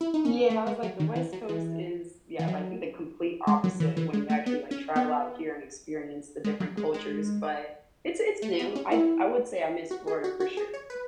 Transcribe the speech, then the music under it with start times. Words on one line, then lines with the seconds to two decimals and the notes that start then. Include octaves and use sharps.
Yeah, I was like the West Coast is, yeah, I think the complete opposite when you actually like travel out here and experience the different cultures, but it's it's new. I'd I would say I miss Florida for sure.
0.01 E4
0.14 D#4
0.25 C#4
0.50 A3
0.67 G#3
0.83 F#3
1.00 D#3
1.16 E3
1.33 F#3
1.49 E3
2.39 E3
2.48 F#3
3.47 G#3
3.64 F#3
3.80 E3
3.97 E3
4.13 G#3
4.30 A3
4.46 B3
4.71 C#4
4.96 B3
6.44 G#3
6.60 F#3
6.77 G#3
6.94 G#3
8.42 A3
8.59 B3
8.75 C#4
8.92 E4
9.91 F#4
10.07 G#4
10.24 F#4
10.40 F#4
10.57 G#4
10.74 C#5
10.90 B4